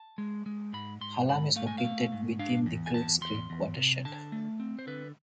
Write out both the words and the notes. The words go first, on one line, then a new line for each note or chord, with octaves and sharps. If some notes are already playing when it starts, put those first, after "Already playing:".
Hallam is located within the Kreutz Creek watershed.
Already playing: A5
G#3
G#3
G#2 B5
G#2 C6
G#2 B5
A3 F5
G#5
F5
A3
G#2
D4 F5
E2
G#5
E2 A5
E2 C6
E2
C3
D3 A5
A3
C4
C5
D3 B4